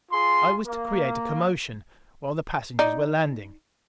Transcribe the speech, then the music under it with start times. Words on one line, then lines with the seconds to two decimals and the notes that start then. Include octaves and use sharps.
I was to create a commotion while the passengers were landing.
0.11 F4 G#4 C6
0.66 A#3
2.79 D#4 D5